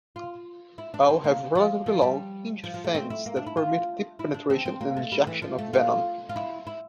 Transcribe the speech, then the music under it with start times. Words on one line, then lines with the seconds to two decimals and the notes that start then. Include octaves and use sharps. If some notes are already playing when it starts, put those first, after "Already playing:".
All have relatively long, hinged fangs that permit deep penetration and injection of venom.
0.16 F4
0.78 E4
0.94 D4
1.09 C4
1.24 A#3
1.55 F3
1.86 F3
2.02 G3
2.64 F3
2.74 F3
2.84 A3
2.95 C4
3.10 E4
3.26 A#3
3.36 D4
3.46 E4
3.57 F4
4.19 E4
4.34 D4
4.50 C4
4.65 C4
4.81 A#3
4.97 A3
5.12 G3
5.27 E3
5.42 F3
5.58 A3
5.73 F4
6.29 F4
6.36 E4
6.67 E4